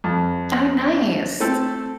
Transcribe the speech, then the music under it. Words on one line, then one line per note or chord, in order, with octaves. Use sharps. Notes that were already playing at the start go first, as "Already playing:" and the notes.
Oh, nice.
F2
A3 C4 A4